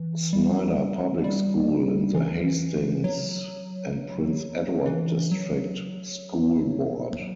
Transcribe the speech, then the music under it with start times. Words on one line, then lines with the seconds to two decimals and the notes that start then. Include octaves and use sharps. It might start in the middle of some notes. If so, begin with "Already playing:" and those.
Snider Public School in the Hastings and Prince Edward District School Board.
Already playing: E3
0.33 G3
1.24 G3
2.14 E3
3.04 F#3
4.86 E3
5.31 F#3